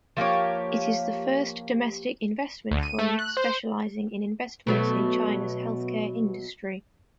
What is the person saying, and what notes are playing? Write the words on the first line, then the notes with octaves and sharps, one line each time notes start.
It is the first domestic investment fund specializing in investments in China's healthcare industry.
F3 A#3 G4 C#5
D2
D#7
A3
F#6
C5
B2 F#3 A3